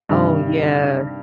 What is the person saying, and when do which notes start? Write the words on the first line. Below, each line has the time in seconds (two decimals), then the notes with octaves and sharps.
Oh, yeah.
0.09 G2 C3 D#3 G3